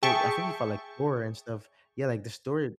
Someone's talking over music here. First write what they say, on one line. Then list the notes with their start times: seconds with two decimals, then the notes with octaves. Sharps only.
The I think he fought, like, Thor and stuff. Yeah, like, the stor
0.03 G#4 E5 G5 A5 C#6